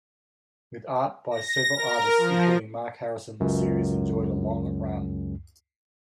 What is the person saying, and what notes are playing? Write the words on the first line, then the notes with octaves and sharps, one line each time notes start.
With art by several artists including Mark Harrison, the series enjoyed a long run.
A#6
A#4
F3
C#2 F#2